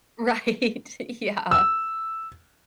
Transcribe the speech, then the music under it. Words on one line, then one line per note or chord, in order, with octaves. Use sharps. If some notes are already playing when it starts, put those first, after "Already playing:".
Right, yeah,
E6